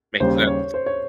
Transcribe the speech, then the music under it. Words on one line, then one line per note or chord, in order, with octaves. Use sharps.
Makes sense.
D#2 C#3 G3 C#4 C5
C#5
C5
C#5